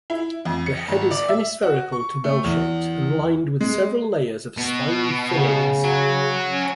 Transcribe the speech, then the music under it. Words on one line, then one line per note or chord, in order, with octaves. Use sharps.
The head is hemispherical to bell-shaped and lined with several layers of spiny phyllaries.
E4
F2
C#7
G#1
D5
E5
F#4
C#6
A3
E2
G#3
B2
C#3
F#4 C#5
C#4